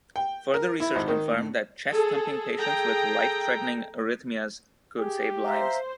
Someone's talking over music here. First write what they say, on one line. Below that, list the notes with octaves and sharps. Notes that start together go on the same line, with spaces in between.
Further research confirmed that chest thumping patients with life-threatening arrhythmias could save lives.
G5
A#4
E4
G#1
D#3
A2
G#4 A4
G#4 A4 G5 A#5
G4 G#4
C5 E5 F5 A#5